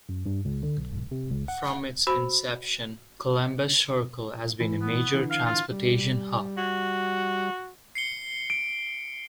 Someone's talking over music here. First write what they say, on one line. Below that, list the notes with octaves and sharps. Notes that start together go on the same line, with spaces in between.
From its inception, Columbus Circle has been a major transportation hub.
F#2
G2
C#2
D3
B1
C3
C#2
F#5
F#4 C5 B5
E3
B3
D3 E3
F5
F4
G3
F#4
C7 C#7 G7
D7